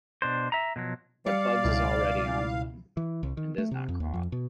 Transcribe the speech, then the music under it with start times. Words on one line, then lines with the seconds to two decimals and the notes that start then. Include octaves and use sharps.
But Bugs is already on to them, and is not caught.
0.22 B2 D4 C5
0.52 E5 A#5
0.76 B2 F3 F#3
1.26 G3 D5 F5 C#7
1.64 C#2 B2 E4
2.97 E3
3.23 C2
3.37 D#3
3.58 A3
3.71 C3
3.89 F2
4.00 D#2
4.14 F2
4.32 B2